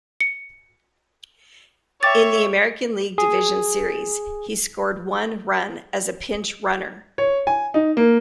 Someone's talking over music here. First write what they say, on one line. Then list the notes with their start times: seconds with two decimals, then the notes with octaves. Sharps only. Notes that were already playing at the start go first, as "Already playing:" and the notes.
In the American League Division Series, he scored one run as a pinch-runner.
0.21 C#7
2.03 C#5 E5 G5 D6 A6
3.18 G#4
7.18 C#5
7.47 G#5
7.74 D#4
7.97 A#3